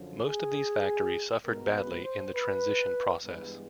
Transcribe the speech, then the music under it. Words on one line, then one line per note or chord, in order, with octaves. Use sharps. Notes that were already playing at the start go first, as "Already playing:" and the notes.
Most of these factories suffered badly in the transition process.
Already playing: F#2 D3 F3
G#4
B2 G#3 B3 A#4
B4
C5
B4
G2 E3 G#3 B3 B4